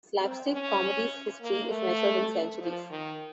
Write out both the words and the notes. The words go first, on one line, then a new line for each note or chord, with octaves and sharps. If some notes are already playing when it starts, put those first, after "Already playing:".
Slapstick comedy's history is measured in centuries.
C4
C#4
A#3
A3
F3
D#3